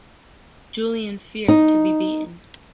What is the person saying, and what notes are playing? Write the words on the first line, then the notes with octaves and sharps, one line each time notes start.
Julien feared to be beaten.
D#4